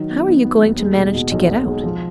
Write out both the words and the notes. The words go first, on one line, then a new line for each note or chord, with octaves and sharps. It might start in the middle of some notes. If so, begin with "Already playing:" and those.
"How are you going to manage to get out?"
Already playing: D#3 F#3
B3
B3
B3
D#2
G#3
B2
B2
B1
B2
G#3
F3